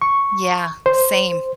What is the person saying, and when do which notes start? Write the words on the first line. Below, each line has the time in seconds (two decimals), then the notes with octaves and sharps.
Yeah, same.
0.02 C#6
0.86 C5